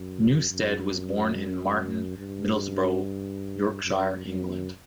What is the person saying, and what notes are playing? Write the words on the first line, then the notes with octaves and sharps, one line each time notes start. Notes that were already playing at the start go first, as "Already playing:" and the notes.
Newstead was born in Marton, Middlesbrough, Yorkshire, England.
Already playing: F#2
F#2
G2
F#2
F#2